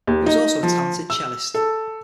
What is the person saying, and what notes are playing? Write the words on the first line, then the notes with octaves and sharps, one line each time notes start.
He also was a talented cellist.
D#2
D#4
F3
E6
A4